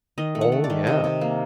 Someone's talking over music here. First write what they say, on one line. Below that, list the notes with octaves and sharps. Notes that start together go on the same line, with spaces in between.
Oh, yeah.
D#3 D#5
A3
F#5
A3
D5
D#3
C3 D#5
C3
A#3